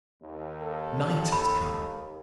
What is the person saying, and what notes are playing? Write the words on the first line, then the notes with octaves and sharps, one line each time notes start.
Night had come.
D#2
A4
B5